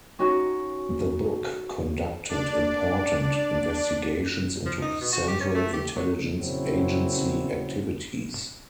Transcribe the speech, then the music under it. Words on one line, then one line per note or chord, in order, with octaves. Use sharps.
The book conducted important investigations into Central Intelligence Agency activities.
C#4 D#4 F#4
D4 D5
F3
D#4
B2
F#4
G4
C#4
A3
G4
F#3
F2 A#2 C#3 F#3 C4 E4